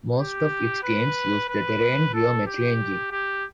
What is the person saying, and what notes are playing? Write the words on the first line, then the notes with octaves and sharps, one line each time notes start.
Most of its games used the Terrain geometry engine.
G4
B4
B4
A4
G4
G4